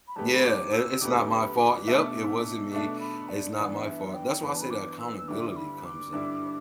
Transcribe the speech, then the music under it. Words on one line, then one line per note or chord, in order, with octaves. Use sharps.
Yeah, "I it's not my fault Yep, it wasn't me, it's not my fault." That's why I say that accountability comes into play.
B5
E2 D3 A3 G4 B4 A5
B5
D6
E6
E2 D3 A3 G4 B4 D6
B5
D6
B2 A3 D4 A4 E5
B2 A3 D4 A4 E5 D6
B5
D5
G2 E3 B3 D5
E5
E5
G5
G2 E3 B3 B5
A5
B5
D6
E6
E6
G2 D3 G3 E4 D6
D6
B5
D6
G2 D3 G3 E4